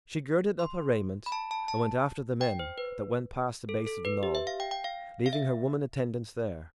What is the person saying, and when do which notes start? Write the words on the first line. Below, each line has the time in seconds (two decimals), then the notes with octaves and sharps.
She girded up her raiment and went after the men that went past the base of the knoll, leaving her women attendants there.
0.59 C6
1.26 B5
1.32 A5
1.51 A5
1.68 A5
2.41 G5
2.59 C5
2.78 B4
3.69 A4
3.87 A4
4.05 B4
4.23 G4
4.35 E5
4.47 F5
4.60 G5
4.71 G5
4.84 F5
5.26 F5
5.33 E5